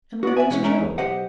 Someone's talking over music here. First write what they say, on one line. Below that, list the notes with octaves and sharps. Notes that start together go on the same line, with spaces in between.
And where was Joe?
F#4 D5
D5 E5 G#5
B2 E3 G#3 C#4
G#3 A3 C#4 A#4
E2
B1 G4 C5 D#5 F#5